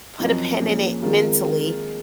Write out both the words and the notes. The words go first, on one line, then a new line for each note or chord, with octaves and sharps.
put a pin in it, mentally,
F#2 F3 C4 D#4
A#2 F3 A#3 C#4 G#4
D#3 G#3 C4 F4 A#4